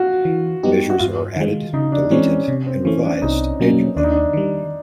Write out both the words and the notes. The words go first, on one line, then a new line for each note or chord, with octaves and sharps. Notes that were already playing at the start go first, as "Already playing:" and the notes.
Measures are added, deleted, and revised annually.
Already playing: F4 F#4
E3
G3 B3 D#4 G4
F#4
G2 F4
D#3 G#3
C#3 D#4
D4
E3 G#3 C4 C#4
C3
C4
E3 A3 C#4
D4
C2 D#4
B2 F#3 A#3 C#4
D#2 D4
D#4
D4
D#3 G3